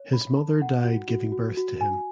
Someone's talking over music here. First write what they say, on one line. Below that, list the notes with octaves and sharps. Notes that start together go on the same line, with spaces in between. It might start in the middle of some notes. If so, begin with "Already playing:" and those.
His mother died giving birth to him.
Already playing: C#5
B5
A5
F#5
F#4
F#4
F#4
F#4
G#5